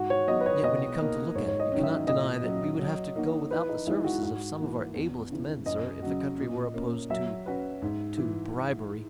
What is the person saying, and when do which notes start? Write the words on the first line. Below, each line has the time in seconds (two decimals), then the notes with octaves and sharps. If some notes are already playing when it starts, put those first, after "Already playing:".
And yet when you come to look at it you cannot deny that we would have to go without the services of some of our ablest men, sir, if the country were opposed to--to--bribery.
Already playing: G#2 F#4
0.10 C#5
0.27 F#3 B3 D#4 F#4 D#5
0.40 B4
0.46 C#5
0.63 B2 D#5
1.00 A#3 D#4 A#4
1.35 G#2 C#5
1.48 C#5
1.60 D#5
1.72 D#3 F#3 C#4
1.83 E5
2.07 A#2 D#5
2.44 F#3 C#4
2.79 F#3
3.16 A#3 D#4 F#4
3.50 E3 B4
3.69 D#4
3.87 G#3 D#4 E4 G#4
4.04 F#4
4.22 G#2 F#4
4.58 E3 A#3
4.94 E2
5.30 C#3 E3
5.66 F#2 D#5
6.02 C#3 F#3 C#4 F#4
6.38 A#2
6.74 A#3 C#4
7.10 F#3 E5
7.46 C#4 F#4 B4
7.82 G#2
8.18 E3